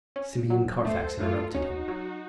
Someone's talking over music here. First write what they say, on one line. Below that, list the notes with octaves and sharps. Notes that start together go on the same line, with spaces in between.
Simeon Carfax interrupted him.
C#4
F#3
A3 A4 C5
A2 F4 A4
C#4 D#4 F#4
F#3